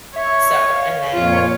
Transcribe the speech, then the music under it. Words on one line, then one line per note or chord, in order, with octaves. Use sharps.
So and then,
C#5 E5
F5
F2 A#2 F4 C#5